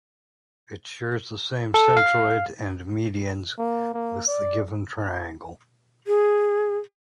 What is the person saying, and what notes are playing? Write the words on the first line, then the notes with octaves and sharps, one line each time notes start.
It shares the same centroid and medians with the given triangle.
A4
F5
A#3
A#3
D5
G#4